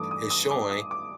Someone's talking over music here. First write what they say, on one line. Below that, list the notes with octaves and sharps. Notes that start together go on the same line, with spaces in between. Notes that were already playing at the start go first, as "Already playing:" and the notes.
is showing
Already playing: G2 E3 A3 D6 D#6
D#6
D#6
D6
D#6
D6